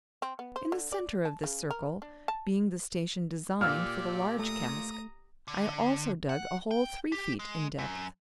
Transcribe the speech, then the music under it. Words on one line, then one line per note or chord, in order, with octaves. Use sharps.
In the centre of this circle, being the station designed for the large cask, I also dug a hole three feet in depth.
C4
B3
C5
D3
D5
A5
C#3
A#4
D4
A5
A#2 G4 D5 F5 E6 F6
A3 A#5 D#6
D3
F#5
G5
G4
G#3
F#2